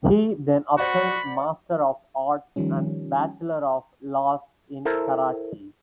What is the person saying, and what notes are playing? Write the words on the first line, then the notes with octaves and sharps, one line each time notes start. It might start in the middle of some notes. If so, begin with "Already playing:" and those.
He then obtained Master of Arts and Bachelor of Laws in Karachi.
F#4 C5 D5 F#5 B5
D#3 F3 G3 C#4
E4 A4 A#4 C5